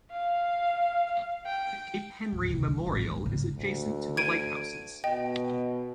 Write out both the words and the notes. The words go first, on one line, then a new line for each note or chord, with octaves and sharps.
The Cape Henry Memorial is adjacent to the lighthouses.
F5
G5
D1
C2
G#3
A1
G#3
G#1 C#3
D2
G#6 D7 D#7
B2 D#5 G5